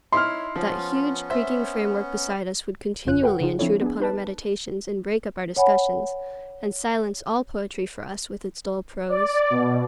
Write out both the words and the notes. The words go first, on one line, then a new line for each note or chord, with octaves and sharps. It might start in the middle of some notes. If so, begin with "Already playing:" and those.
But that huge, creaking framework beside us would continually intrude upon our meditations and break up our discussions, and silence all poetry for us with its dull prose.
D#4 E4 C#5 C6 F6
F3 B3 C#4
C5 E5
G1 F2 C#3 F4 F#6
F#4 A4 B4 C#5 F#5 G5
C#3 D#4 F4 G#4
F3 C4 D4 E4 A4 C#5
B3 D4 G#4
D#4 B4 A5
C#5 F#5 G#5 B5
D5
B2